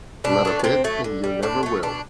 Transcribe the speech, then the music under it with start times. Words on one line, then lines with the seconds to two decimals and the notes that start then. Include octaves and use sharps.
Not a bit, and you never will.
0.24 B2 D4
0.45 F#3 A3
0.59 B3
0.64 C3 C4
0.84 F#3 A3
1.04 D3
1.24 G3
1.43 A2 D4
1.63 F#3 A3
1.83 B2 D4